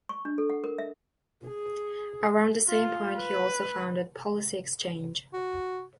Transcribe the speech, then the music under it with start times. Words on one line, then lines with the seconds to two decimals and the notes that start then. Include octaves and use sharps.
Around the same point he also founded Policy Exchange.
0.09 C#6
0.25 D4
0.38 A4
0.50 F#5
0.64 A#4
0.78 E5
1.48 G#4
2.68 F4
3.19 B4
5.34 F#4